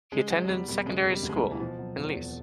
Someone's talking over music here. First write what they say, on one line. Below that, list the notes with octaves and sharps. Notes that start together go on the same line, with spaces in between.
He attended secondary school in Lecce.
C#3 G#3
F#3 G#3
G#3
E2 G3
E1 G3
C#3 G#3
E1
G3
D2
G#3
G3
E1
E3
B2 F3
F#3
E2
E1